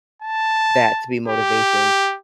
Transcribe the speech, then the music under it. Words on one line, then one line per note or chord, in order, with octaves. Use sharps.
that to be motivation.
A5
G4